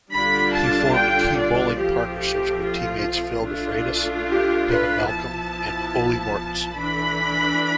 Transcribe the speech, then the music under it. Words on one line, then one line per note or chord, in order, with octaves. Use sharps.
He formed key bowling partnerships with teammates Phil DeFreitas, Devon Malcolm and Ole Mortensen.
D3 G3 D4 F4 B5
A5
G5
D5
F3 A3 C4 F4 G4
G4
F4
A3 D4 F4
G4
B4
F3 B3 E4 A5
E3 A3 D4 B5